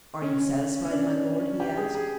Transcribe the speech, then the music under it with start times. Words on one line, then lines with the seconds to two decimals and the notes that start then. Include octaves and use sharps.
"Are you satisfied, my lord?" he asked.
0.22 C#4
0.85 C#4
0.91 D4
1.60 G4
1.77 G#4
1.95 G#4